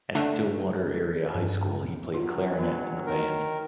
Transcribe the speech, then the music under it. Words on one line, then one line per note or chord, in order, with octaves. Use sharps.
At Stillwater Area High School, he played clarinet in the band.
D3 A3 D4
G2
E2 G2 F#3 F4
E3 B3 F4
D#3 A#4